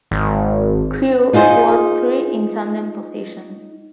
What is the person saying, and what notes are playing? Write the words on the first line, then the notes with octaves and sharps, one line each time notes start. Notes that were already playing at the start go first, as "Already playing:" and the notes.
Crew was three in tandem position.
G#1
D#4 F4 G#4 C5